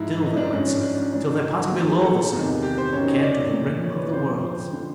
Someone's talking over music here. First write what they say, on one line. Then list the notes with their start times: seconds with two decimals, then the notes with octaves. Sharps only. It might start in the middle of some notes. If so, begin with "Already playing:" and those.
Still they went South till they passed below the South and came to the Rim of the Worlds.
Already playing: G#2 F3 E4
0.22 D#4
0.37 D4
0.52 G#2 F3 C#4
0.67 D4
0.83 D4
0.97 C#4
1.12 G#2 E3 D4
1.27 D#4
1.42 F4
1.58 F#4
1.72 A#2 F3 G4
1.87 G#4
2.02 A4
2.33 E2 C3 D#3
2.62 G4
2.78 C5
2.92 F#2 D#3 C#5
3.08 D#5
3.23 D5
3.53 A#2 F3
3.83 C#5
3.98 B4
4.12 F2 D3 F3 C5
4.73 D3 F3